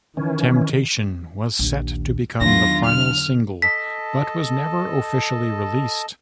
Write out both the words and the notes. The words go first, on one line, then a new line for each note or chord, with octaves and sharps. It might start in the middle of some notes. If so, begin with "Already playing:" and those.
"Temptation" was set to become the final single but was never officially released.
D#3 E3 C#4
A#1 D#2
E2 D#3 F#3 D4 F4 A#6
D3 F6
A4 D#5 A5 B6